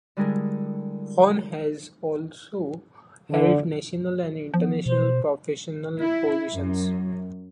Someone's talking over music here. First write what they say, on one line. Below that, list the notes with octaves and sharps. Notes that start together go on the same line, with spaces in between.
Horn has also held national and international professional positions.
D3 G3 G#3 E4 G#4 A#4
D3
F3 B3
B2 C5
E4
F#2